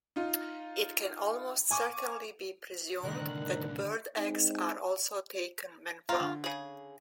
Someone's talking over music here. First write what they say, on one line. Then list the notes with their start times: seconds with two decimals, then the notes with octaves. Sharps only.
It can almost certainly be presumed that bird eggs are also taken when found.
0.16 D#4 F4
1.71 G#5 C#6 D6
3.03 C2 A2 D3 D#3 A#4 F#6
4.16 G#3 C4 D#4
6.09 F4 C5 A#5
6.20 D3
6.44 C#3 G#4